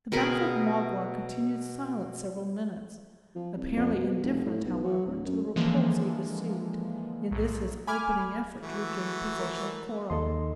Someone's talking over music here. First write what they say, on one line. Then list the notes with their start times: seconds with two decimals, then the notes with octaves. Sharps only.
The baffled Magua continued silent several minutes, apparently indifferent, however, to the repulse he had received in this his opening effort to regain possession of Cora.
0.12 B2 G#4 A#4 B5
3.35 F3
3.56 C2
3.76 F2
3.95 B2
4.23 F1
4.45 A2
4.65 B1
4.84 F#3
5.06 D1
5.25 F#2
5.56 D3 E3 F3 G#3 A#3
7.31 B1 A2
7.87 G#5 B5 D6 F6 G#6
8.60 E3 A3 F#4
9.39 A#4
10.10 D#2 A4 D#5 C6